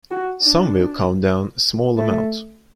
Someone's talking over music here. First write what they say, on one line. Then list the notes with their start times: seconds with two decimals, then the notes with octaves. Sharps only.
Some will come down a small amount.
0.11 F#4
0.42 D4
1.97 A3